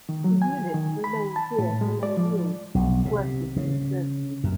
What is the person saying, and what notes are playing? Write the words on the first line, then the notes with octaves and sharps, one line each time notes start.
The units remained here for many years working these services.
D#3
F#3
G#5
D#3
B5
A5
A2
G#3
D5
F3
B1
C3
C#3
F#2